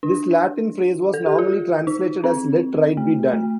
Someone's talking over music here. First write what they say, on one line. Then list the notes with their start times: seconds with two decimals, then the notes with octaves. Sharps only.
This Latin phrase was normally translated as "Let right be done".
0.03 D4
1.14 A4
1.26 G4
1.39 F4
1.87 D#4
2.24 C4
2.97 A3
3.33 A3